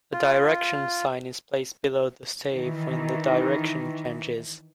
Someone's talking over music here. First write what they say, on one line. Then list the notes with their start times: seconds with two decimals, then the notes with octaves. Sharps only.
A direction sign is placed below the stave when the direction changes.
0.13 F4
2.51 D#3 E3